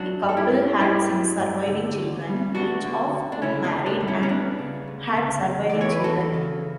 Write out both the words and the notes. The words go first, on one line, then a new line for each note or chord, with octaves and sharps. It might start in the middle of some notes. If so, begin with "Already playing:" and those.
The couple had six surviving children, each of whom married and had surviving children.
Already playing: F#3 D4 F#4
G2
A4
E4 G4
A3
G2 E4 G4
F#3
G2
D3
D2
G3
B3 D4 F#4
D3
D2
D4
C#3 C#4 E4
D4
D2
D4
G3
C#4 E4
C#4
B3 D4
C#3
D2
C#3
E2
E3 D5
C#5
B4
E2 F#4 A4
C#3